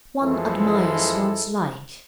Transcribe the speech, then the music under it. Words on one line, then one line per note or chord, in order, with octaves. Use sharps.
One admires one's like.
F#2 E3 F3 G#3 E4 A4